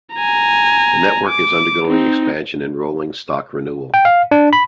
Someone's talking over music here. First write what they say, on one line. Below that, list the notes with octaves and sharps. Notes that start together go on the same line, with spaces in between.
The network is undergoing expansion and rolling stock renewal.
G#5 A#5
D6
C4 D#4
G5
F5
D4
B5